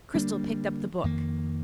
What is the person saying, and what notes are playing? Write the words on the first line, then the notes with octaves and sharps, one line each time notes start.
Cristel picked up the book.
D3 G3 A#3 D4
F2 D#3 A#3